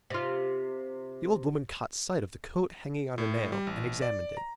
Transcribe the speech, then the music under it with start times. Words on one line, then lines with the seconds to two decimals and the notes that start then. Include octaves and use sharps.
The old woman caught sight of the coat hanging on a nail, and examined it.
0.10 C3 F4
3.18 A2
3.52 G3
3.67 A1
4.02 D5
4.37 A#5